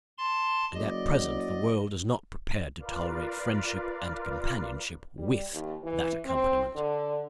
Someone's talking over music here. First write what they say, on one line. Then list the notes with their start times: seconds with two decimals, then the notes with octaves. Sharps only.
And at present the world is not prepared to tolerate friendship and companionship WITH that accompaniment.
0.18 A5 C6
0.74 F#1 F#3 D5 D#5
2.79 F4 A#4 B4 D5 F5
5.18 G3
5.53 D#2
5.83 E3
6.25 C4
6.75 D3